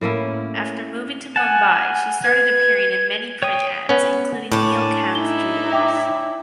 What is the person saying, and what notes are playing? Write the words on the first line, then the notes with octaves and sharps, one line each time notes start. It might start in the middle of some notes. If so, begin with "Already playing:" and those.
After moving to Mumbai she started appearing in many print ads including Neelkanth Jewellers.
A2 A#3 C#4 E4
F#5 G#5 A5
B4 G#6
C#5 G5 D#6
B3 C#4
A2 C#4 D4
D#4 E4 G7
E5 G5 D6